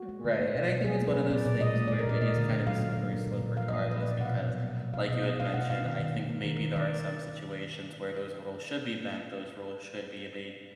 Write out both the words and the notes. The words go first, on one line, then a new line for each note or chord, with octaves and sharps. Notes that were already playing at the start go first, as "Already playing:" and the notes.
Right, and I think it's one of those things where it is, kind of, a slippery slope regardless because, like, you had mentioned, I think maybe there are some situations where those rules should be bent, those rules should be a b
Already playing: F#4
G#3
D3
A#3
B2
B2
F#3 G#4
A#3
B4
B2
A#2 D5
A#2 D5
G#3 D#5
G#3
A#2 D5
A#4
A#2 D5
A#3 D#5
D3
D3
F#3 F5
A#3
D3
A#3
A#2
A#2
F3 F5
A#3 D#5
A#2 B4
A#3 D5
B2 F#5
F5
B2
F#3
A#3
B2
B2 F5
B2 D#5
A#3 D#5
A#3 F5
B2 F#5
B2 F5
D#3
D#3
A#3
A#3
D#3
D#3
D#3 D5